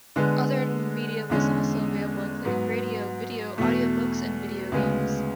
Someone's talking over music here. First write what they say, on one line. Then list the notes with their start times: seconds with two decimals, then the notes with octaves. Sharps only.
Other media was also available, including radio, video, audio books, and video games.
0.16 D3 G#3 B3
1.30 E2 D3 G#3 C#4
2.45 G#2 F#3 B3
3.58 E2 B2 A3
4.72 D2 C#3 G#3 B3